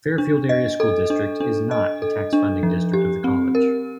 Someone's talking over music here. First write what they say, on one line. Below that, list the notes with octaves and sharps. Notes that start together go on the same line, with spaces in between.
Fairfield Area School District is not a tax funding district of the College.
D4
D#5
A4
D4
D4
D#5
A4
D4
F3
G4
C4
A#4